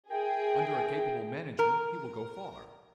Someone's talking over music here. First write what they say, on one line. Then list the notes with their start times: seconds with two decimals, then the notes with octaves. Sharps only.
Under a capable management he will go far.
0.10 E4 G#4 A#4 G5
1.59 A#4